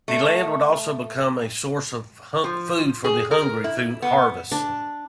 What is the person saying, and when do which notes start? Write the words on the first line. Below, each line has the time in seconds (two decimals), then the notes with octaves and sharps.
The land would also become a source of food for the hungry through harvests.
0.08 A3
2.44 F3
3.04 G#4
3.31 A#4
3.64 E4
4.02 B3
4.52 D4